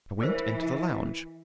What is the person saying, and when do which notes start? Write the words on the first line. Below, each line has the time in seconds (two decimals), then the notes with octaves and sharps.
I went into the lounge.
0.21 E3 A#4 C5